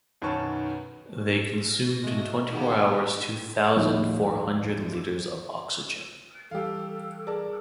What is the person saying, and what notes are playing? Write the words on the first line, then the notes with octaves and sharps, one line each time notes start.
They consumed in twenty-four hours two thousand four hundred liters of oxygen.
B1 F#2 D#3 B4 A5 C#6
A#6
G#3 A3 F#4
D#3 A#3 B3 G4 G#4
A#1 D#2 D#4 E4 G#4 C#5
E3 G3 G4 A4 F5
G#4 A#4 D5 A5